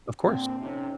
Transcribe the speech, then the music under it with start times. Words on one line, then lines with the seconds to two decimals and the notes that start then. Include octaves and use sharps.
Of course.
0.24 A#2 D3 C4
0.60 F2 C3 C#4 D#4